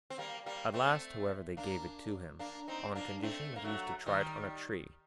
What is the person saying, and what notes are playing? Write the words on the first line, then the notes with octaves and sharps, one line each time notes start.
At last, however, they gave it to him, on condition that he was to try it on a tree.
C4
G3 A#3
G3 A#3
A3 C4
A#3 D4
A#3 D4
C4 D#4
A#3 D4
A3 C4
A#3
F#3 A3
D#3 G3